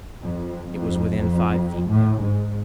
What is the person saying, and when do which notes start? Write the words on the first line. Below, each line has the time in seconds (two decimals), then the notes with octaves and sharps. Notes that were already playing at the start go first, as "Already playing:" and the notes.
It was within five feet now.
0.22 F2
0.71 F2
1.18 F2
1.89 A2
2.19 G#2